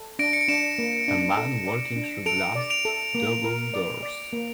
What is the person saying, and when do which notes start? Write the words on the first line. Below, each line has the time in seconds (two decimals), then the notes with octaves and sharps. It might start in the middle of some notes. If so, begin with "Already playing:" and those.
A man walking through glass double doors.
Already playing: A4
0.19 D4 A#6 D7
0.33 C#7
0.41 D7
0.48 D4 C#7 E7
0.78 A#3
1.08 D4
1.37 A4
1.66 D5
1.96 D4
2.26 A4 D7 F7
2.55 D5
2.70 D7 F7
2.85 A4
3.15 A#3
3.44 A#4
3.74 D5
4.03 D5
4.33 A#3